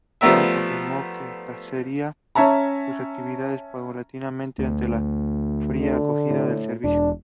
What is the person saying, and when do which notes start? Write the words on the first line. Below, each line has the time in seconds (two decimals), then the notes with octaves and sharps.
Australian timber is used throughout the building.
0.21 F3 G3 A3 B3 A#4 E5
2.35 C#4 C#5 E5 A5 A#5
4.58 D2
5.81 D3
6.30 A2
6.84 E1 D4